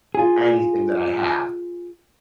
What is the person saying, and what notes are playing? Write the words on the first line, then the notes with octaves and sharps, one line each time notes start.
anything that I have.
F4 G#4